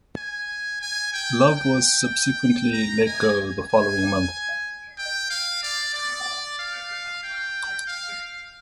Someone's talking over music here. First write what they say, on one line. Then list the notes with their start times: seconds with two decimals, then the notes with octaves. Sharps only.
Love was subsequently let go the following month.
0.16 G#5
0.81 G#5
1.13 G5
1.45 G5
2.73 A#5
3.06 G#5
3.69 G#5
4.98 G5
5.30 F5
5.63 D5
5.94 D5
6.59 F5
7.23 G5
7.87 F5